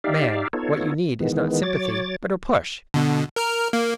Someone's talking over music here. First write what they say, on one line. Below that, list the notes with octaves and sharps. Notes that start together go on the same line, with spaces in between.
Man, what you need is not sympathy, but a push.
D#4 G4 D5 E5 F5
B3 D#4 F4 A4 C#5
D#3 E3 G#3 B3
F#3 C#5 D6 A6
B2 D3
A#4 F6
A#3